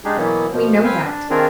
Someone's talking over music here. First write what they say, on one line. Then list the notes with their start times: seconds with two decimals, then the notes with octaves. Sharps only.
We know that.
0.05 G#3 D4 D#4 G4 G#4
0.17 B2 E3 F#3 A#3 B3
0.52 B2 F3
0.84 C4 B4 F5 G5 G#5
1.05 D4
1.30 D#3 C4 D4 F4 G#4 A#4